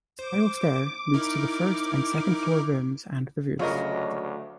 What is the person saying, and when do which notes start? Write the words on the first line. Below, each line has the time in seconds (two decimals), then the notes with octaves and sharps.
A spiral stair leads to the first and second floor rooms and the roof.
0.19 C5 D6
1.14 D#4 E4 A#4
3.59 D2 C#3 F#3 F4 A#4 D#5 C#6